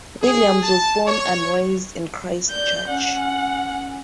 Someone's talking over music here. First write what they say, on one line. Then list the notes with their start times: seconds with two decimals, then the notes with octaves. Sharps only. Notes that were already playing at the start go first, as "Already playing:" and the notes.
Williams was born and raised in Christchurch.
0.21 G#4
0.62 A5
1.06 C#5
2.50 D5 G6
2.88 C#4 F#5